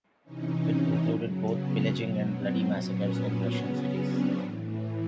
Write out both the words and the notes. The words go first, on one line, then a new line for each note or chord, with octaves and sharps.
It included both pillaging and bloody massacres in Russian cities.
C3 E3 C#4 D#4
C#3 F#3
B3 C#4
B2 F#3
C4
A#2 F#3 B3 C#4
C#3 F#3 B3 C#4
C4 D4
A2 E3